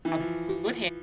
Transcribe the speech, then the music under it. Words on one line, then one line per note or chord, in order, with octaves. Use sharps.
a good
E3
F3